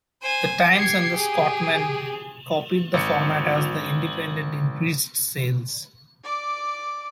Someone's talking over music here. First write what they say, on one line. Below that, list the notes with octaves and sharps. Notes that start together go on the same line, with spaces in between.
"The Times" and "The Scotsman" copied the format as "The Independent" increased sales.
C5 G#5
G4 G#6 C7 C#7
G#4
G#1 C#7
D5 D6